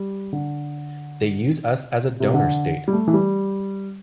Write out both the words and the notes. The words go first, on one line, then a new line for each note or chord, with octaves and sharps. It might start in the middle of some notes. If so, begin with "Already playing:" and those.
They use us as a donor state.
Already playing: G3
D3
C3
D3
G3
A3
E3
G3